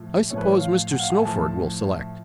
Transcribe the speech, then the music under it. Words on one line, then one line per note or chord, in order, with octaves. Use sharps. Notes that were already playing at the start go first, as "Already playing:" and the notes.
"I suppose Mr. Snowford will select."
Already playing: A2 F3
A2 F3 C#5
B4
C#5
F5
F#5
F5
F#5
G#5
A2 F3 A5